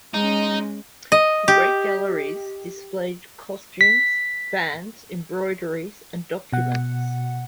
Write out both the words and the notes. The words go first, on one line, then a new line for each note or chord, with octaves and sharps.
The Great Gallery displays costumes, fans, embroideries and documents.
G#3 C#4 D#4
D#5
G4
B6
B2 F#5